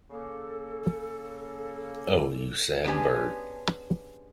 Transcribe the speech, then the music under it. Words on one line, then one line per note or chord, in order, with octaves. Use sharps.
Oh, you sad bird!
C#3 A#3 A4
G#3 B3 C#4 D4 G4 G#5